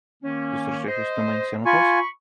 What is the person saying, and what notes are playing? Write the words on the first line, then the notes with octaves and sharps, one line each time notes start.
The structure has two main cenotaphs.
D#3 A#3 C#4
C5 D#5
F4 G#5 B5 C#6